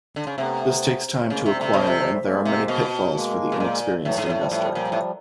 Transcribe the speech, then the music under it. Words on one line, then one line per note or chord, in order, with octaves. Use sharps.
This takes time to acquire and there are many pitfalls for the inexperienced investor.
D3
C#3
C3 A3 B3
A3
C#3 G#3 A#3
C3
G3 A3
C3
B2 F#3 G#3
F#3
C3 F3 G3
F3 G3
G3 A3
G#3 A#3
C3
B2
G#3 A#3
B2
A#2
A2 E3 F#3
G#2 E3 F#3
A2
F3 G3
A2
A#2
A2